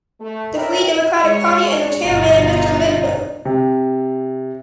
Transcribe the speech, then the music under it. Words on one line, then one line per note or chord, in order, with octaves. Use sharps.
The free democratic party and their chairman Mr. Lindner.
A3
A#4 B4 C#5 D5 E5 G5
G#3 C#5
G1 B2 D#4 F4
C3